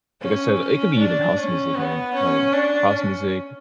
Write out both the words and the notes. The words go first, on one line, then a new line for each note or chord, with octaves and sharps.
like I said, it could be even house music, man, like, house music,
C#4
C#4
D4
C#4
B3
C#4
D4
C#4